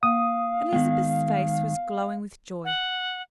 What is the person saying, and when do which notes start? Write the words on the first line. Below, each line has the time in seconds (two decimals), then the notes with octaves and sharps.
Elizabeth's face was glowing with joy.
0.03 A#3 F5 D#6
0.73 D#3 G#3 B3
2.65 F#5